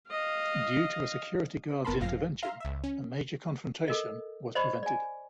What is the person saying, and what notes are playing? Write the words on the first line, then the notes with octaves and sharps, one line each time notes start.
Due to a security guard's intervention, a major confrontation was prevented.
D#5 F5
G1 B3 A#4 A5 B5 C6
G#1 F#2 F3 F5 A#6 C7
E5 F5 A#5 C6
C#2 E5
C#4
A4 A#4 D#5
C5 D5 D#5 B5 C#6
D5 G#5